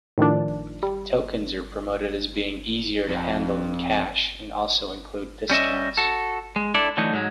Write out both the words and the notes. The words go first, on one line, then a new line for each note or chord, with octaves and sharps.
Tokens are promoted as being easier to handle than cash, and also include discounts.
A2 D#3 F3 D4
G3
F2
G3 C#4 D#5 E5
F#4 A4
G#3
D4 E4 A4 D5
D3 E3 F#3 A3 D#4
G#2 F#3 G#3